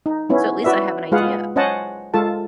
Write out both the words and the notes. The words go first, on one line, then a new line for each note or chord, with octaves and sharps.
so at least I have an idea?
D#4
B3 C#4 E4
E4 F#4 B4 D5 E5
G#3 F4 G#4 B4 F5 F#5
C#4 C5 D#5 F#5 A5
G#3 F4 A4 A5